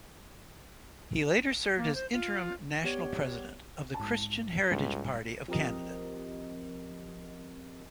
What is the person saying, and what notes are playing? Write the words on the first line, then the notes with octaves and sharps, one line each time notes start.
He later served as interim national president of the Christian Heritage Party of Canada.
A#3
C5
F4
B3 G4 C#5 D5
G#1 A5
G#1 C#2 G3
F3 C4 G4 A#4 D#5